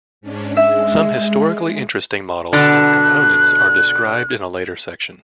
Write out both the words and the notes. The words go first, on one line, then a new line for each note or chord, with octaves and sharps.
Some historically interesting models and components are described in a later section.
G#2 C#4 D4
G#3 E5
B2 D3 D4 F#6